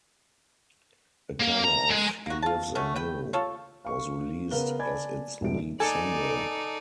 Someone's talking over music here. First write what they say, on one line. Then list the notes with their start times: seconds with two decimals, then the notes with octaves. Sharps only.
A cover of "He Lives in You", was released as its lead single.
1.40 A#3
1.64 A#5
1.91 G#3
2.26 A#3 F#4
2.42 F4 A5
2.75 F#3 A3 C#4
2.95 B4 G5
3.33 F4 A4 C#5
3.85 F5 C#6
4.51 C#3 B3 A#4 F5 G7
4.79 D5 G#5 A5 B5 G#6
5.41 E1 G2 E3 F3 G#3 D7
5.80 D#4 A4 D5 G#5